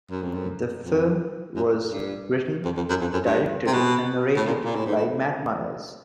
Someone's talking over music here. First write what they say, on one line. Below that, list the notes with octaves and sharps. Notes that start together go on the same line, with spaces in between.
The film was written, directed, and narrated by Matt Myers.
F#2
F2
F#2
F2
F#2
G2
F2
F2
F#2
F2
F#2
G2
C3
B2
A2
A#2
A#2
A2
G#2
A2